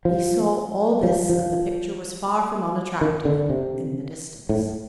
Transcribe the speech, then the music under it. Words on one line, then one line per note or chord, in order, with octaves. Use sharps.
He saw all this, and the picture was far from unattractive--in the distance.
F3
F3
F3
D#3
D3
C3
A2